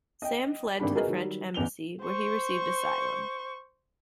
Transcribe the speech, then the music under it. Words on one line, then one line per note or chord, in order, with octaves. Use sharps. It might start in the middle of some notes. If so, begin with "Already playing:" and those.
Sam fled to the French embassy, where he received asylum.
D#5 G5
G#1 G2 D3 D4 G4 B5
F#4 G#4 A#4 B4 D#5
D#3 F#3 G3
A1 E2 F7 G7
C5 C#6